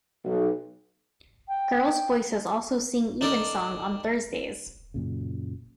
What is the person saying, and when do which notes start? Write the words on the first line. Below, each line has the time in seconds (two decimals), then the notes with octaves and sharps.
Girls' voices also sing evensong on Thursdays.
0.24 B1
1.48 G5
3.21 D4 D#4 A4 A#4 D5
4.94 F#2 A#2 C#3